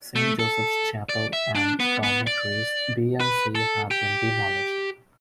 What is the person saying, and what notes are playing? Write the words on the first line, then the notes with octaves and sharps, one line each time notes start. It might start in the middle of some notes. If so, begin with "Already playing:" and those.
Saint Joseph's Chapel and dormitories B and C have been demolished.
A3
A4
D5
E5
D4
B3
B3
D5
B4
A4
G4